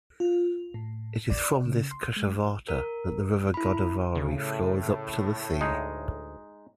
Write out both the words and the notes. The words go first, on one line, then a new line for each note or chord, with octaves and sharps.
It is from this Kushavarta that the river Godavari flows up to the sea.
F4
A2
D5
C#3
C6
G#3
A#4
E4 B5
A2 C#3
D2 G#3 D#4